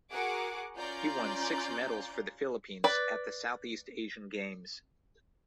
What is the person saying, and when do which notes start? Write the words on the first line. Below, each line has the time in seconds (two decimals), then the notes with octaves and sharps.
He won six medals for the Philippines at the Southeast Asian Games.
0.12 F#4 G#4 A#4 F#5 D6
0.76 C#4 F4 D5 A#5 G6
2.84 B4 D5